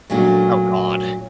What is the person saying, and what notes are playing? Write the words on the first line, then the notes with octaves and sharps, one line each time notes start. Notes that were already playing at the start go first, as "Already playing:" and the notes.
Oh god.
A#2 F#3 A3 C#4 D4 F#4